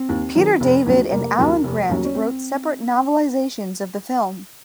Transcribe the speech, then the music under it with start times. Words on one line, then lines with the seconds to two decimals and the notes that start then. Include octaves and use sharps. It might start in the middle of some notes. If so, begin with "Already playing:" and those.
Peter David and Alan Grant wrote separate novelizations of the film.
Already playing: C4
0.09 D#2
0.35 D#3 F#3
0.60 F1
0.86 D#2 C#3 F#3
1.12 F1 A#3
1.38 D#2 C#3 F#3
1.64 F1
1.89 D#2 C#3 F#3
2.05 C#4
2.15 C4